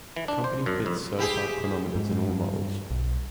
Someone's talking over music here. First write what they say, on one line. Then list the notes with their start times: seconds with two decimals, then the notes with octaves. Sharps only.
The company fits certified chronometers in all models.
0.16 E3
0.28 D4
0.44 C5
0.66 F#2
0.86 F2
1.19 E4 G4 G#4
1.95 G#2
2.30 G2
2.90 B1